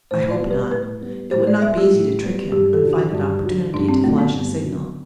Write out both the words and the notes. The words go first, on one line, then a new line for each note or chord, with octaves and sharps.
I hoped not: it would not be easy to trick him and find an opportunity to flash a signal.
A2 C5
D5
G3 B3
B4
A2 B4
G3 B3
A2 C5
D5
G3 B3 E5
G4
A2
G3 B3
G2 G4
A4
D3 F#3
F#4
G2
D3 F#3
G2 D4
C4
D3 F#3 A3
B3
G2
D3 F#3